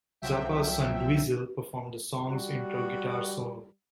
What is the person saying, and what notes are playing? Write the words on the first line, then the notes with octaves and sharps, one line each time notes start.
Zappa's son, Dweezil performed the song's intro guitar solo.
C2 F3 F#3 E5 G5
G3 F#4